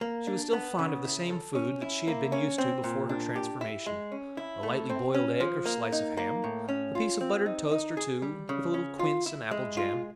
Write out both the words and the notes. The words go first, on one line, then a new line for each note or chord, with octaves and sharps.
She was still fond of the same food that she had been used to before her transformation, a lightly boiled egg or slice of ham, a piece of buttered toast or two, with a little quince and apple jam.
A#3
D4
B3
C#3
E4
A4
C#4
E4
A#3
C#4
C4
A#2
D4
G4
E4
G#3
C#4
E4
A3
C4
C#4
F3
A#3
D#4
A#3
A2
C#4
F4
C4
D#4
D#4
G#4
G3
C#3
C#4
F4
E4
G#3
F4